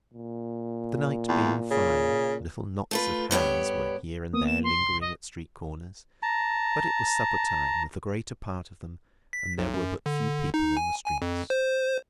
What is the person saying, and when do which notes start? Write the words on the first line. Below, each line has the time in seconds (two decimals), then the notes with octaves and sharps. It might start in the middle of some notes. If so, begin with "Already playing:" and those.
The night being fine, little knots of Hands were here and there lingering at street corners; but it was supper-time with the greater part of them, and there were but few people in the streets.
0.14 A#2
1.28 E2
1.70 C#3
2.91 A3 F4 B4
3.31 G2 B3 G4 C#5
4.33 A#3 B3 D#6
4.47 E7
4.64 C6
4.81 C2
5.01 D#5
6.22 A5 A#5
9.33 B6
9.58 B1
9.74 F#2
10.06 D3
10.54 D#4
10.77 G#5
11.06 G#5
11.22 F2
11.50 C5